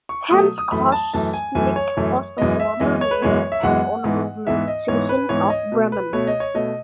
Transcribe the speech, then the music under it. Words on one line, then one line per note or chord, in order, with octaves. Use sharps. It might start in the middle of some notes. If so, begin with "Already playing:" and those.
Hans Koschnick was the former mayor and Honorable citizen of Bremen.
C#6
B2 F#3 A3 D#6
D#6
F#2 E3 A3 B5
A5
F#2 E3 A3 A5
G#5
F#2 E3 A3 G#5
C#5
F#2 E3 A3
F#2 E3 G#3 B3 D#5
E5
F#2 E3 G#3 B3 D#5
C#5
B4
F#2 E3 G#3 B3 C#5
E5
F#2 E3 G#3 B3 F#5
G#2 E3 B3
G#2 E3 B3 E5
D#5
G#2 E3 B3 C#5
B4
G#2 E3 B3 C#5
D#5
B2 A3
B4
B2 A3 C#5
D#5
C#5
B2 A3 D#5